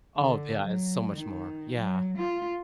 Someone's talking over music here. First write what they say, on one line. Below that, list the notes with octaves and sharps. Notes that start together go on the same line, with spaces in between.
Oh, yeah, it's so much more, yeah.
D3
F#3
D#3
F#3
F4